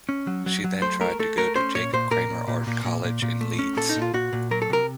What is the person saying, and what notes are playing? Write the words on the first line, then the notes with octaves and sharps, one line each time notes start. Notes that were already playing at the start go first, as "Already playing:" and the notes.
She then tried to go to Jacob Kramer Art College in Leeds.
C#4
F#3
F#3
F#3
A3 C5
A3 A#4
A3 A4
A3 A#4
C#4 C5
A#2 C#5
A#2 C5
A#2 A#4
A#2
A#2
A#2
A#2
A#2
A#2
A3
C#4
A#2 A4
D#4
A#2
F4
A#2 F#4
A#2
F#3 A#4
A4
C3 A#4